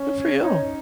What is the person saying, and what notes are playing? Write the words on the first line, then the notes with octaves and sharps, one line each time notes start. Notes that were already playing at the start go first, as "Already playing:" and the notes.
Good for you.
Already playing: C#4
C#5
D#4 C#5